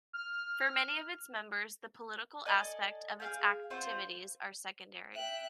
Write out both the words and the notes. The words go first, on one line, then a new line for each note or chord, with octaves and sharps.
For many of its members the political aspect of its activities are secondary.
F6
A4 D5 D#5 G#5
G#4 F5 G5
C4 F4 C5 F#5
E5 G5 F#6